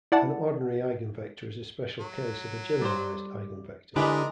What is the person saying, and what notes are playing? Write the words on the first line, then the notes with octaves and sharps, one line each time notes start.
An ordinary eigenvector is a special case of a generalized eigenvector.
E4 D5 F#5 A5
F#3
G3 C5
D3 G#3 E4 G4 A#4 B4 D5 D#5